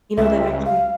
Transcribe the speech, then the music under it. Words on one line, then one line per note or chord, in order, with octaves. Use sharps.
you know, that actually
C#2 E5
F5